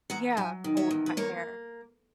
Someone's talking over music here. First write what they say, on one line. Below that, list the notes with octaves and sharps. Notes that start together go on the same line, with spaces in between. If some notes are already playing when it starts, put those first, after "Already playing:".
Yeah, cold, wet hair.
E2 F#5 A#5
F#3 E5 G#5
D#3
C#5 E5
E2
B4
A#3 A#4 C#5